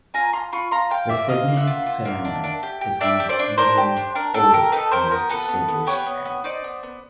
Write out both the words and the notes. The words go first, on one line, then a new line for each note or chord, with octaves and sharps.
The Sidney family is one of England's oldest and most distinguished families.
F4 G#5 A#5
F4 A#5 C6
F4 B5 C#6
F4 A#5 C6
F4 F5 G5
A#3 D5 E5
F4 D#5 F5
A#3
E5 F#5
F4
F4
A#3
D4
D4
G4
G4
D4 D5 E5
G4
C5 D5
D4
D4 A#4 C5
G4
D4
D4 A#4
D4 A4
G4 A#4
D#4 A4 B4
G4 A#4 C5
B3 A#4
B3 A4 B4
B3
B3
G4 B4 C#5
B3
B3
D#4 C5 D5
B3
B3